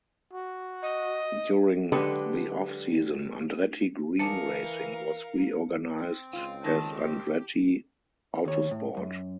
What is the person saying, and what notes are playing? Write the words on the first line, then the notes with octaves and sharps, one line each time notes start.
During the off-season Andretti Green Racing was reorganized as Andretti Autosport.
F#4
D#5
D3 F#3 G#3 G4 A4 B4
E3 G#4 A#4 D5 F5 A5 C#7
C4
C#2 F4
D#3 A5
G4
D#2 C#5
A2
F#2